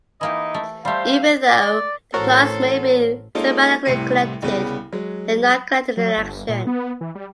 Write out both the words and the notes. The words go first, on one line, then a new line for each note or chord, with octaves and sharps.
Even though the plots may be thematically connected, they are not connected in action.
E3 A#3 D#4 E4 G4 D#5
A3
G3 A3 G4 C5 F5
D5
A1 F#4 A4 A#4 C5 C#5 F#5 C6
G#3 A#3 C#4 D#4 F4 A4
C2 A2 C3 C#7 D#7
C2 C#3 B3
F#3 G#3
F#3
G1
A#2
B3
E3
G3